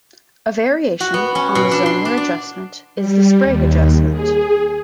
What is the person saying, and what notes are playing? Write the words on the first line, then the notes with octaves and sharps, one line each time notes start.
A variation on the Zillmer adjustment is the Sprague adjustment.
F#4
B3
C#4
B2
D4
C6
D4
D5
G3
D#2
G#4